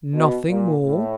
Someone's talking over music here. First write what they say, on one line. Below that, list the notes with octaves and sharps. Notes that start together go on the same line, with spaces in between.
"Nothing more?"
B2
A#2
A2